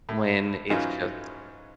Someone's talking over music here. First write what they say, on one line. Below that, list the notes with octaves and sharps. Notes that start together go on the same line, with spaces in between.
when it's just
A2
G#2 E3 F#3 C#4 D#4 F4